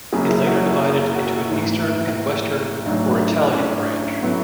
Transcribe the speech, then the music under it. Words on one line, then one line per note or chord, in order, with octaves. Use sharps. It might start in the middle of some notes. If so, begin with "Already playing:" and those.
It later divided into an Eastern and a Western, or Italian, branch.
F#1 F#2 C#3 G#4
E4
F#4
F#4
A1 G#2 E3
E4
A1 G#2 F#3 D4
E4
D4
C#4
A2 F#3 B3